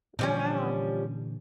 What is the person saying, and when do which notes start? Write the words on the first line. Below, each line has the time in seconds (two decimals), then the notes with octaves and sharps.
Oh, wow.
0.19 A#2 D3 E3 F3 G3 C#4